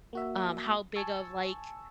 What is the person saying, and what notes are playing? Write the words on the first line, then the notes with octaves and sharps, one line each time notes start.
um, how big of like,
A#3 F#4 E5
G#5 A5 C#6 E6